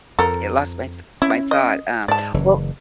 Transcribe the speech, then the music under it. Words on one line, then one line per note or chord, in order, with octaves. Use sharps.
I lost my th my thought, um, well
F2 A4 A#4
C#4 E4
D#5
G#2 D5 A5
F#1 C#3 E3